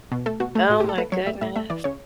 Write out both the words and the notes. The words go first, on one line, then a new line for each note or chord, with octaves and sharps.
Oh, my goodness.
B2
A3 A4
B2 F#4
A3
A2 F#4
A2 G4
A4
A3 B4
F#3 C#5
A2 E5
A2 E5
A3 E5
E3 D5
C#3 C#5